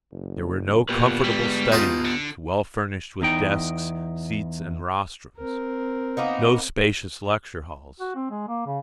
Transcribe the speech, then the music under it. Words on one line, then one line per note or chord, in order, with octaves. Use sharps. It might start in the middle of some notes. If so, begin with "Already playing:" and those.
There were no comfortable study rooms, well furnished with desks, seats, and rostrums: no spacious lecture halls.
F#1
A#2 B3 G4 B4
G3 G#3
D#4 F4 A5
D3
E2 D#4 G5
C4 A#4
A#3 B3 D#4
F#4
C4
G#3
A#3
C#3